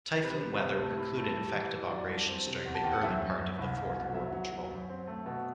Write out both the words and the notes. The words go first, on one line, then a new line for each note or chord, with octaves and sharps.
Typhoon weather precluded effective operations during the early part of the fourth war patrol.
C3 B4
G3
C3
A3
A2
A3
G3
E3
E3
F#3 D5
G2
C4
C3
E2
A5
E2 G5
F#5
F#2 E5
F#2
F#2
C2
C2
B2
F#3 E5
F#3
F#3
F#2
C4
A3
B2